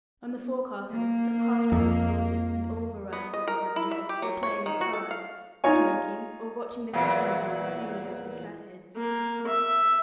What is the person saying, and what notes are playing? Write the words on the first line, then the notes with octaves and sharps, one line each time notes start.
On the forecastle, some half-dozen soldiers, in all varieties of undress, were playing at cards, smoking, or watching the fishing-lines hanging over the catheads.
A#3
F2
B3
D#5
A#4
E4
E5
G4
F#3
C#5
D#3
F#4
A4
F5
D#4 F4 C#5 G#5
E2 A#2 F#3
A#3
E5